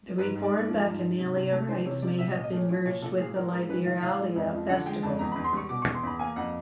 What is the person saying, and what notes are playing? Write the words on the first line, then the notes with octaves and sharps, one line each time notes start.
The reformed Bacchanalia rites may have been merged with the Liberalia festival.
G#2 B4
G#2
D5
G#3
F3
G#2
G#2
C3
C3
A3
E3 C5
C3 C#5
C3 D5
A#2 E5
D#5
A#2
D#5
A3 C#5
F3 C#5
A#2 C#5
A#2 A4
A2 G#4
A2 A#4
G#3 A#4
E3 B4
A2 F5
A2 F5
G#3
F2
F3
D3 F#5
G#3 G5
F2 A5
E2 A#5
B5
E2
C6
G3 C#6
B2 D6
C#6
E2
C6
E2 B5
A#3 G#5
F2 F#5